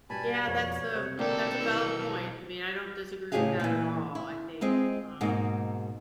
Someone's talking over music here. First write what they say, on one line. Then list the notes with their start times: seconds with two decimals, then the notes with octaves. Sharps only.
Yeah, that's a that's a valid point, I mean, I don't disagree with that at all, I think, um
0.10 B2 G3 G#5 A5 B5
0.47 F2 C#5
0.95 C3
1.19 B1 D3 A#3 G4 A4
1.61 D#3 E3 E6
3.32 A2 C#3 G4 G#4 D#5 F5
3.60 A#2 E3
4.15 E4
4.61 G#3 C4 F4 D#5
5.21 G#2 B2 A#3 D#4